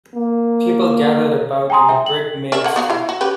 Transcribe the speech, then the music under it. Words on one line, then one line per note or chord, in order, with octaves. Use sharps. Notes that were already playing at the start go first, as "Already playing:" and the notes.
People gathered about in the brick made street.
A#3
G5 G#5 A#5 C6 D#6
E5 G5
F#7
A#4 D5 E5
D3 F#5
B3 F#4 F5
E4 F5
F#4
C#4 G4 B4